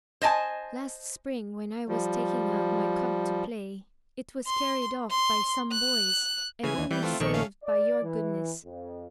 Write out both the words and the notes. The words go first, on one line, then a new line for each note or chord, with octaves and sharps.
Last spring, when I was taking out my cub to play, it was carried off by some boys, and only saved by your goodness.
C5 D#5 G#5 A5
F3 G3
C6
C6
F#6
C#3 E3 G#5 G#6
D#2
E3 G3 G6
A3 C4 F4
A#1 D#3 A4 C#6
A3 C#4 F5
D5
E3
F2